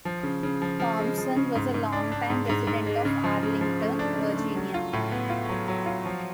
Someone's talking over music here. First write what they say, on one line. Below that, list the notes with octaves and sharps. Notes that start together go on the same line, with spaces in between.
Thompson was a long-time resident of Arlington, Virginia.
F3
C#3
C#3
F3
F3
G#3
F3
C#3
G#2
G#2
D4
D4
G#2
G#2
G#2
G#3
C#3
F3
C#3
F3
A3
D4
C#3
A3
F#3
F4
A2
B3
F4
F#3
F#3
F4
F3